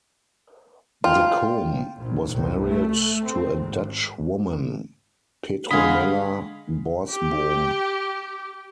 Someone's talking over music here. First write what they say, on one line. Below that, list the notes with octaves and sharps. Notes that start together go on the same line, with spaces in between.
De Kom was married to a Dutch woman, Petronella Borsboom.
F4 G5
A#1
C2
A3
C4
G#1
D3 G#3 D#5 F5 F#5 G#5 B5
G4 G5